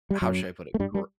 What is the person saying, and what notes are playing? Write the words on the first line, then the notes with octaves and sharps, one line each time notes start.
how should I put it? Gr
G3
F#2 F#3
A3
G2 G3
G3